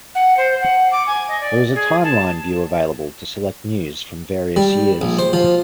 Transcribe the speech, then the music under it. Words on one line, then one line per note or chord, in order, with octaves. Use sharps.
There was a timeline view available, to select news from various years.
F#5
C5
F#5
D6
G#5
D#5
D5
G#4
A5
G3
A#1
C5
F3